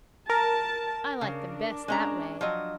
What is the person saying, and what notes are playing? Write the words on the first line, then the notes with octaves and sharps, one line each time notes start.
I like them best that way.
A#4 A5
C#3 D4
G#3 C#4 A#5
F3 F#3 D#5